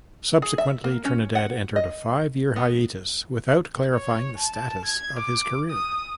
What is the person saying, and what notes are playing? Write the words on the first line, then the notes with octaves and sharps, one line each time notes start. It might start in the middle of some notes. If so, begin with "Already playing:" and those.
Subsequently, Trinidad entered a five-year hiatus without clarifying the status of his career.
G#4
E5
A#3
C#4
F#5
D#5
B3
C#5
A5
G#6
D6
D#6